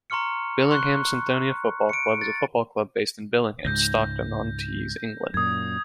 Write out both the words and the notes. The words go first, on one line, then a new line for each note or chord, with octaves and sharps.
Billingham Synthonia Football Club is a football club based in Billingham, Stockton-on-Tees, England.
A#5 C6 C#6 F6 C#7
C6 C#6 F#6
C#7 D7
A6
C#2 G#2 G6 A#6
F#2 A#2 D#6 G#6